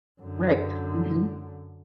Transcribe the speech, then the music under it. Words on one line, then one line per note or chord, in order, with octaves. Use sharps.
Right. Mhm.
F#2 D3